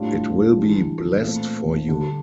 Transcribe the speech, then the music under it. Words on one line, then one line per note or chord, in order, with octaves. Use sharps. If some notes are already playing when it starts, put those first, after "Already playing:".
It will be blessed for you.
Already playing: A2 G3 D4 F4
E3 G3 D4
A#2 A3 C4
D3 G3 D4